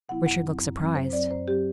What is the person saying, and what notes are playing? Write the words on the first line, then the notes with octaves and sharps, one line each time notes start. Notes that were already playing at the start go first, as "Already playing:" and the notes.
Richard looked surprised.
C3 F#3 B3 E4 F#5
F#2 F#5
F#3 C4
F#2
F#3 C4
F#2 C5
F#3 C4 D5
F#2 C5
F#3 C4 G4